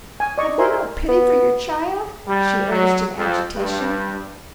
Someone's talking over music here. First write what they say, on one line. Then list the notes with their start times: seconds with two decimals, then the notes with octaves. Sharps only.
"Have you no pity for your child?" she urged in agitation.
0.20 G#5
0.38 D5 D#5 C#6
0.58 A#4 C5 E5 G#5 C6
1.09 B3
2.28 G3
2.71 F#3
3.17 F2
3.55 G2